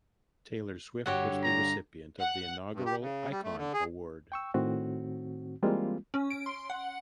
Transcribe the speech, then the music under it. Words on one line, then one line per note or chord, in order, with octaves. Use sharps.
Taylor Swift was the recipient of the inaugural "Icon" award.
G2 D3 F#4 G4 C#5 F#5
A#5
F#5
G2
G4
C#3
G3
A3
D3
G#4
G5 C#6 E6
A2 D#3 C4 F#4
E3 G3 G#3 A#3 C4 F4
C#4
D7
C6
F#5